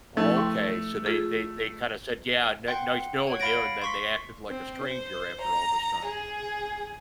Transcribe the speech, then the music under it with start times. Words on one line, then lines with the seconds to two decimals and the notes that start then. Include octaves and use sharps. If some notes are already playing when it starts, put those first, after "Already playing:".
Okay so, they they they kinda said, yeah, "ni nice knowing you", and then they acted like a stranger after all this time.
0.17 F3 A3 E4
0.36 G5 C6 C#6
1.06 F4 G#4 A4
2.68 F#5 G5 C6
3.27 C#5 F#5
3.40 F5 B5 A6 A#6 D7
3.82 C6 C#6 B6
4.48 C4
4.84 C5
5.42 A#5
6.07 G#4